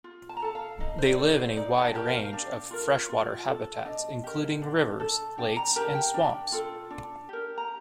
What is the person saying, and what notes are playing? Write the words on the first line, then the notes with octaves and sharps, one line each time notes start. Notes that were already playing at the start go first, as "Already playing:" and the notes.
They live in a wide range of freshwater habitats, including rivers, lakes, and swamps.
F4
A5
A#5
A4 A5
F5
D#4 D#5
C5
D5
A4 D5
C5
D#4 D5
G5
A5
G4 A#4
F5
D4
F4 A#4
F4
A4
D4 D#5
G4 A#4
D4
A4
D4 G5
A#5
G4 A#4 A5
G5
D4
F4 A4
D4
G4 A#4
A#5